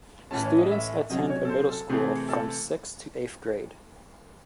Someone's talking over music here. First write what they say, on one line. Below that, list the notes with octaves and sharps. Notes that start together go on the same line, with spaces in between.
Students attend a middle school from sixth to eighth grade.
A2 E3 A3 C#4 A5
C#5
D#5
E5
C3 F#3 C#4 D#5
C#5
A4
C5
A4
C3 E3 A3 C4 G#4
A4